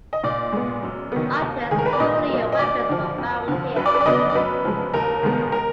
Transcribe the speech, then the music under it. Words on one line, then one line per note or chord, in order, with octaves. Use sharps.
Objects, jewelry and weapons were found here.
D#5
A#2 D5
G#3 B3
F#2
D#3 F#3 B3
D#2
D#3 G#3 G#4 A#4
B4
D5
A#2 D#5
F#3 A#3
D#5
D2 D5
D3 F3
F2
D3 F3
F#2 B4
D5
B4
D5
D3 F#3 B3 D#5
D5
F#2 B4
F3 G#3
D#2 A#4
D#3 G#3 B3
A#4